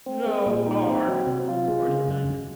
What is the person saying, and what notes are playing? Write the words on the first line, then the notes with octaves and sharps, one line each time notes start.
"No harm?" retorted Diamond.
C4
G#3
A#2
D#4
C4
F#3
C3
F4
G#3
C#3
F#2
F#2